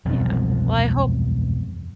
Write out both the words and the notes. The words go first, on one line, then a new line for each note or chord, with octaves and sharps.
Yeah, well, I hope
E1 C2 F#2 F3